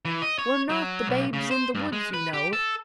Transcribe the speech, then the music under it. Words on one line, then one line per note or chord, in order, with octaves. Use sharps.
We're not the 'Babes in the Woods,' you know.
E3
D#5
C#5
F#3
B1
C#3
C5
G2
G#3
B4
G4
A4